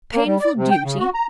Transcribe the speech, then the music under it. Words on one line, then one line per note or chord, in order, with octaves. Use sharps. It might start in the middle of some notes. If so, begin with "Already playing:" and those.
"Painful duty!"
A#3
G3
D5
C3
G5
C#3
F#4
A#5